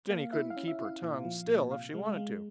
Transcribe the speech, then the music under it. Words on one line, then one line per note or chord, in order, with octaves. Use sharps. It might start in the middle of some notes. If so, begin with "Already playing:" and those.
Jenny couldn't keep her tongue still if she wanted to.
A#3 F5
E4 E5
F5
C#4
E5
E4
F5
A#2
F3
A#2
C3 F5
G#3
G#3